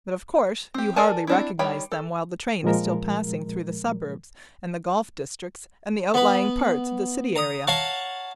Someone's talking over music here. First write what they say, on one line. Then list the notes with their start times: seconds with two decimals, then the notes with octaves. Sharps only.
But of course you hardly recognize them while the train is still passing through the suburbs and the golf district and the outlying parts of the city area.
0.74 C4 G4
0.96 A4 A#4 D5 G#5 A5
1.27 C4 D4 E4
1.59 D#3 G3 C#5 G5 B5
1.92 A4
2.63 A#2 F3 G#3 A#4
6.14 B3 B4
7.36 A#5 D#6
7.67 C#5 F5 F#5 A5 A#5 C#6